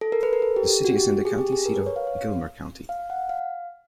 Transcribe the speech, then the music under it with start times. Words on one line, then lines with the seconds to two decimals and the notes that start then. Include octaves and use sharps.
The city is the county seat of Gilmer County.
0.01 A4
0.12 A#4
0.23 B4
0.33 A#4
0.42 A4
0.56 G4
0.70 G4
0.84 F#4
0.97 G4
1.11 G4
1.25 G#4
1.38 G4
1.52 G#4
1.66 A#4
1.76 B4
1.86 C#5
1.96 F5
2.07 F5
2.89 F5
3.10 F#5
3.29 F5